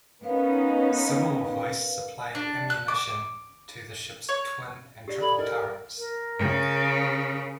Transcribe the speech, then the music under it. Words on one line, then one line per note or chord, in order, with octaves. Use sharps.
Similar hoists supplied ammunition to the ships' twin and triple turrets.
B3 C#4 D#4 A#4 B4 F5
D4
F#6
D6
C#5
G4 D5
A4 D5 B5
E4 A#4 D#5
A#4
C#3